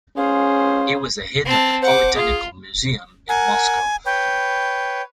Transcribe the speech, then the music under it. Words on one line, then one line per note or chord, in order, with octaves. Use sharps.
He was a head of the Poly-Technical Museum in Moscow.
C#4 G#4 C5 F5
C4 A5
C5 F#5 D6
F4 G#4
A#4 F#5 G#5
B4 C#5 G5